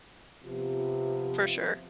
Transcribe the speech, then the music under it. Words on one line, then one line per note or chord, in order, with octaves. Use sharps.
For sure.
C3 F3 B3